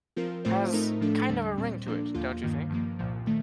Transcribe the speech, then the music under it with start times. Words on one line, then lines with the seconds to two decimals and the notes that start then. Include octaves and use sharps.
Has kind of a ring to it, don't you think?
0.16 F3 C4 F4 A#4
0.45 A2 A3 C4 F4 C5
0.72 A2 A3 D#4 A#4
1.00 A2 F3 A3 D4 A4
1.29 D#2 D3 G3 D4
1.57 A#2 G3 C4
1.86 A#2 F3 A#3 D4 A4
2.14 D#2 D3 F3 A#3 F4
2.42 G2 D#3 A#3
2.70 G2 F3 A#3
2.99 C2 A#2 F3
3.27 D#3 A3